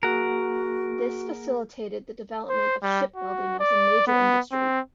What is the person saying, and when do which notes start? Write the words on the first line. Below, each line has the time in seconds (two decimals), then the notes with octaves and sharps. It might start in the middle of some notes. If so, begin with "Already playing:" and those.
This facilitated the development of shipbuilding as a major industry.
0.03 A#3 F#4 G#4 A#4 F#5
2.49 C5
2.83 G3
3.16 F#4
3.60 D5
4.07 B3
4.52 C4